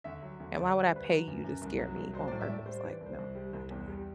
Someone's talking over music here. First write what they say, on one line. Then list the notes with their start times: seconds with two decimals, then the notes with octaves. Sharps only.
and "Why would I pay you to scare me on purpose," like, "No," not doing that.
0.04 D2 E5
0.22 F#3
0.40 D2
0.57 D2 D5
0.70 G3 D5
0.83 C5
0.93 D2 B4
1.09 F#3
1.27 F#2
1.44 F#2
1.61 C2
1.79 F#3
1.96 C2
2.13 F#3 C5
2.28 A2 D5
2.41 E5
2.49 A2 D5
2.66 G3 C5
2.79 D5
2.84 E3
2.93 D5
3.01 C2
3.06 C5
3.18 C2
3.35 G3
3.54 C2
3.70 E2 G4
3.88 G3